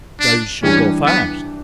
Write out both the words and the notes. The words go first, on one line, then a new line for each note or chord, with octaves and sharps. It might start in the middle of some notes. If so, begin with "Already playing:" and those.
"Does she go fast?"
D4
E3 G3 C#4 D4 G4
B3